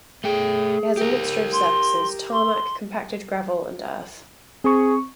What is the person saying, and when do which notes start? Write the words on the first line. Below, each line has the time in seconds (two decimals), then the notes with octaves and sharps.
It has a mixture of surfaces; tarmac, compacted gravel, and earth.
0.24 A3 G#4 G5
0.97 G4 A#4
1.52 C6
2.32 C6
4.64 C4 G#4 C#6